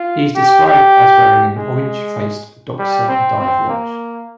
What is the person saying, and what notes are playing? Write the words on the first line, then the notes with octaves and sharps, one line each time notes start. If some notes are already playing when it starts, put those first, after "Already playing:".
He is described as wearing an orange-faced Doxa dive watch.
Already playing: F4
G4
G4
G#3
G3
C4
C4
A#3